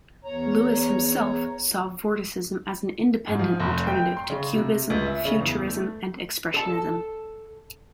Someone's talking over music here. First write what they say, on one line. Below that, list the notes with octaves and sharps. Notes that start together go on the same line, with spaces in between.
Lewis himself saw Vorticism as an independent alternative to Cubism, Futurism and Expressionism.
E2 C#5 A#5
G#2
F3
F1
G5
C6
C#3
C3
C#2
E5
C#3
E2
A3
A4 A5